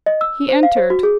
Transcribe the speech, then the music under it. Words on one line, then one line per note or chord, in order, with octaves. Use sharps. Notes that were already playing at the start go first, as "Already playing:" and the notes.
He entered.
D#5
E6
C5
F5
C5
F#4
G#4